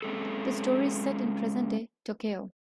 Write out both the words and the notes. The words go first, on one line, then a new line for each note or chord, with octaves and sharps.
The story is set in present-day Tokyo.
G#3 C4 C#4 G#4 A4